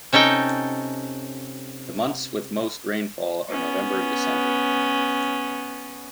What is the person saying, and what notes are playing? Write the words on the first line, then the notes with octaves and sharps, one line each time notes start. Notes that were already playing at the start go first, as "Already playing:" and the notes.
The months with most rainfall are November and December.
C3 C#4 D#4 A4 G5
B3 C#4